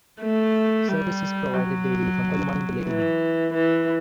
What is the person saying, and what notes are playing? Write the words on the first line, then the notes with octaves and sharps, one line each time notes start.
Service is provided daily from early morning to late evening.
A3
G3
F#3
E3
E3